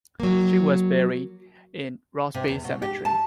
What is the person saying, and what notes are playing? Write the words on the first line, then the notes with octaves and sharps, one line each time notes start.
She was buried in Ross Bay Cemetery.
F#3 A#3
C3
E2
B2
G4
A5